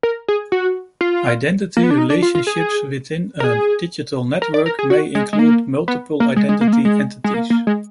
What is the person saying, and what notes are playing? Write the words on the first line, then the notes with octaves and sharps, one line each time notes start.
Identity relationships within a digital network may include multiple identity entities.
A#4
G#4
F#4
F4
A#3
B3
D4
D#4
D4
F4
F4
G#4
A#4
G#4
A#4
D5
A#4
G#4
F#4
G#3
G#3
A#3
B3
A#3
G#3
G#3
A#3
G#3
A#3
G#3
G#3
A#3
A#3
G#3